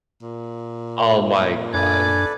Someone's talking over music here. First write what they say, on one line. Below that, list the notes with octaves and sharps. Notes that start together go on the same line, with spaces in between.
Oh my god.
A#2
F#2 D4 A4 B4 D5 G#5